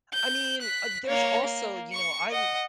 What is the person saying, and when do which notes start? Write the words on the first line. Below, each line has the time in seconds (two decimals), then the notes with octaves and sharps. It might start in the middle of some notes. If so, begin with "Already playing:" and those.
I mean, uh, there's also, you know, I'll
0.14 G6
0.61 F#6 B6
1.06 A#3 C#5
1.43 A#3
1.93 C#6 C#7
2.30 D#5 F#5